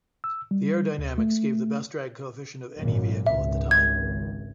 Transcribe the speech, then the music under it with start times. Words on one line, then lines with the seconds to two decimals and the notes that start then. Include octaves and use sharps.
The aerodynamics gave the best drag coefficient of any vehicle at the time.
0.24 E6
0.51 G3
0.98 D2
1.18 A3
2.77 G#1 F#2 A#2
3.27 G#1 C#2 E5
3.71 G#6